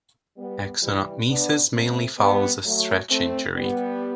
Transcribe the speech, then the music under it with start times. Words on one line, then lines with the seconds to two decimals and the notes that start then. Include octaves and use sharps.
Axonotmesis mainly follows a stretch injury.
0.37 G3 B3
0.82 E3 G3
1.28 B3 D4
1.73 A3 C4
2.19 G3 B3
2.65 F#3 A3
3.10 A3 C4
3.56 G3 B3